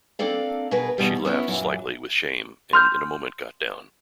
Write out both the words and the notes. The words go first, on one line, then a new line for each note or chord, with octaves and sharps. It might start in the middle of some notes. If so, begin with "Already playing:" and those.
She laughed slightly with shame, and in a moment got down.
A#3 C4 D4 A4 D5 F5
B2 G#4 A#4 B4
E2 B2 G3
B3 C#4 D4 E4
F#2 A#2 F#3
C6 F6 G6